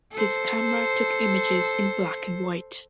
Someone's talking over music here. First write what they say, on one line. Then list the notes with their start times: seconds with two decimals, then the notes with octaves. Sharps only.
His camera took images in black-and-white.
0.12 A4 C5